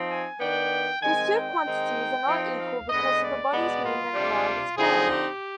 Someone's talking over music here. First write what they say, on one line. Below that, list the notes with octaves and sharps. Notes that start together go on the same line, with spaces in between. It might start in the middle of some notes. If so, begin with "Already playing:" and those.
These two quantities are not equal because of the body's movement around its parent.
Already playing: F3 C4 D#4
G#5
D#3 B3 D4 G5
D#3 G#3 C4 G#5
G5
D#3 G#3 C4 D#4
F3 C4 D#4
F5
D3 G#3 B3 D#5
D5
B2 G#3 B3
F4
C3 G3 D4
D3 F3 C4 D#4 G#4
G4